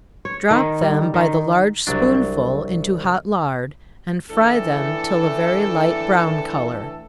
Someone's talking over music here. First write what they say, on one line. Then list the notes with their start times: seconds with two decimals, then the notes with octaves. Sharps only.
Drop them by the large spoonful into hot lard, and fry them till a very light brown color.
0.25 C#5
0.51 D#3
0.81 G3
1.14 D#3
1.87 C2 F#3 D4
4.30 A2 E3 D4 A4